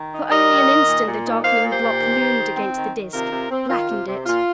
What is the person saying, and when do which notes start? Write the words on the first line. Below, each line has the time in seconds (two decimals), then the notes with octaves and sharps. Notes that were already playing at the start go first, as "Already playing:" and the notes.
For only an instant the darkening block loomed against the Disk; blackened it.
Already playing: D#3
0.12 D#4
0.31 G3 A#4 D#5
0.50 D#3
0.69 D#3
0.87 A#2
1.06 A#2
1.25 D#4
1.43 A#3 C5 F5
1.62 A#2
1.72 G4 C5
1.81 A#2
2.00 D#3
2.19 D#3
2.37 D#4
2.57 C4
2.75 D#3
2.94 D#3
3.13 C3 F4 A#4
3.31 C3
3.51 C4
3.69 D#3 F4
3.88 C3
4.07 C3
4.26 A#2 F4